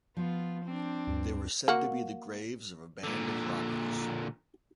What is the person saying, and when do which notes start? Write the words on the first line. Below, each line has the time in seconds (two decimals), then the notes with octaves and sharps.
They were said to be the graves of a band of robbers.
0.17 F3 B3 F4
0.64 C4 D4
1.07 D2 G2
1.68 A#3 F#4
3.04 A#2 D3